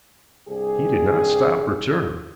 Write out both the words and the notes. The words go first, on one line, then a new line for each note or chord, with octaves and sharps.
He did not stop or turn.
C2 G2 C4 G4 G#4